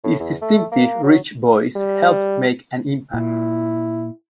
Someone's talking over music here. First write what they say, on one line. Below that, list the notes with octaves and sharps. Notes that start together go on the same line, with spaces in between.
His distinctive rich voice helped make an impact.
A2
E2
A3
A#3
F#3
G3
A#2 E4